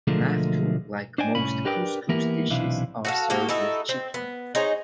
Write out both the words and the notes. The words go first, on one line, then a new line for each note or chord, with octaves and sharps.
Maftool, like most couscous dishes, are served with chicken.
B1 D3 F3 G#3 A3 A#4
D4 C5 D5 D#5 G5 G#5
C2 A2 C#4 B5
D4 G4 A#4 B4 D5 G5
E3 A#3 B3 E4 G4 A#4
B1 C3 E3 D4 E4 F5
F#4 A4 F5
A#3 F#4 G4
D#4 E4 F#4 A4
C4
B3
D#4 G#4 C5 C#5